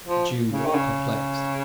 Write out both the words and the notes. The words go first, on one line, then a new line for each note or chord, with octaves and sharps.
The Jew looked perplexed.
F3
C#3
D#3
C#3